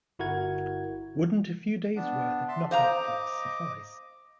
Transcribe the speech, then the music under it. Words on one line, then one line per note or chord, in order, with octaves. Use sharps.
Wouldn't a few days' worth of knockout drugs suffice?
G1 E4 F#4 A#4 F#5 G#6
B3 D4
E5 A5 C6
C5 D#5 F5 A#5 D6